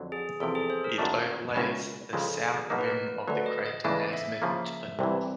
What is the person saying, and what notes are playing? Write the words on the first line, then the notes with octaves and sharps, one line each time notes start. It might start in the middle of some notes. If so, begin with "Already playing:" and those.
It overlays the south rim of the crater Nasmyth to the north.
Already playing: F2 D3 F#3
G#4
E2 C3 F3 A4
G#4
C5
A#4
F#2 D#3 F#3 A3 D4
C#2 B2 G#3 C#4 E4
C#2 C#3 F3 G#3 A4
G#4
B2 F#3 A#3 D#4 A#4
B4
A#4
D2 D3 F#3 B4
D#5
D#5
E2 C#3 E3 A3 D4 D#5
E5
C#3 F3 A#3
C2 C3 E3